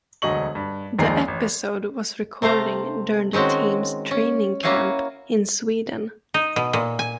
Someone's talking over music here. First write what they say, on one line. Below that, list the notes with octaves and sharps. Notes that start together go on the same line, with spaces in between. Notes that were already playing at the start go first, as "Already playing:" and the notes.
The episode was recording during the team's training camp in Sweden.
E1 D2 F#3 D#5 C#6 F#7
G2
A#1 D#2 G#3 G#5 A#5 C7
A1
C3 A3 C5 F5 A#5
D#3 G#3 C4 C#4 F#4
C#4
A#3 C#4 E4 F#4 F5 G#5
D#4
B2
A#2
G#5